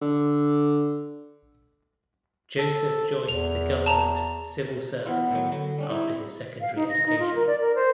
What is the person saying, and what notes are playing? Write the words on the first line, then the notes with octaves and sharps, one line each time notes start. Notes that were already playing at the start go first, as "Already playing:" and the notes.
Joseph joined the government civil service after his secondary education.
D3
A4
E2 F7
A5 A#5
E3 B3 E4 F4
A2 D#3 F#3
D3 F#3
G3 C#4 D4
G3 C4 D#4 E4
F5
D#4
A#6
D#4
F4
A#4
D5
A#4
C5